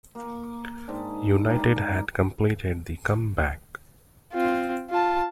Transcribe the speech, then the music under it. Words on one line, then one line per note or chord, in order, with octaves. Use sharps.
United had completed the come-back.
A#3
G#2 D4
D4 A#4
C4 F4
F4 A5